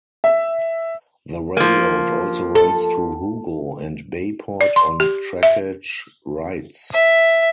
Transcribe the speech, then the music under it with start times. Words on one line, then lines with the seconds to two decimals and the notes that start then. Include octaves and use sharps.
The railroad also runs to Hugo and Bayport on trackage rights.
0.24 E5
1.57 F3 A#3
2.55 A4
4.61 D5
4.76 C6
5.00 G4
5.43 E5
6.93 E5